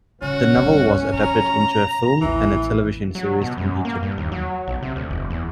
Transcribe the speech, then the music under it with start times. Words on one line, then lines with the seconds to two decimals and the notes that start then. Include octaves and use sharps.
The novel was adapted into a film and a television series in Egypt.
0.22 C#3 C#4 F#4
0.57 C2 G2
1.13 B2 A#5
2.21 A1 D#2 E3
3.15 F#3
3.41 B2
3.57 F#2
3.85 A#3
4.02 G2
4.18 D#2
4.32 F#3
4.68 B1
4.82 C3
4.96 D2
5.10 F1
5.30 E2